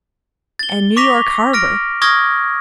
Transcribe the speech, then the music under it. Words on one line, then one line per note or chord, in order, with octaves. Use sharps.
And New York harbour!
A6 G7
C#6 D6 A#6 B6 F7
F6 A#6 D7
C#6 D#6 F6 G#6 A#6